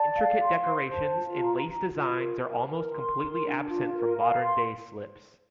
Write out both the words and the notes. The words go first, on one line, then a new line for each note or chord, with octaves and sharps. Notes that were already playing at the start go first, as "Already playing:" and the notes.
Intricate decorations and lace designs are almost completely absent from modern day slips.
Already playing: D5 A5
F5
C6
C5
A5
F4
A#5
F4
F4
A#4
A#4
A#4
C6
A#4
D4
F4
A#4
F5
C6